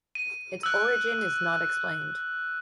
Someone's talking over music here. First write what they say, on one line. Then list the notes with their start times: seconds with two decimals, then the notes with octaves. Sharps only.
Its origin is not explained.
0.15 D#7
0.63 E6 F#6